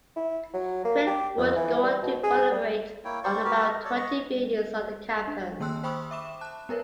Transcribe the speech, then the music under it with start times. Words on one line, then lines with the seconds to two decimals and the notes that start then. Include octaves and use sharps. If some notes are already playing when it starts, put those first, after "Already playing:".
Cret would go on to collaborate on about twenty buildings on the campus.
0.16 E4
0.54 F#3
0.85 A#3
1.07 G4
1.38 F2
1.56 E3
1.83 G3
2.02 B2
2.23 G#4
2.52 G3
3.05 A#3 E4 C#5 G5
3.24 C5 D5 C#6
3.44 F#4 G4 A#4 B4
3.69 D#5
3.85 A4 C#5 D5
3.96 D#5 C#6
5.28 D4
5.60 D#3 A#3 G5 C6 E6 F#6
5.83 C5 G5 B5 C#6 D#6 E6
6.11 E5 D6 E7
6.41 A5 F#6
6.69 B3 A#4 B4 C#5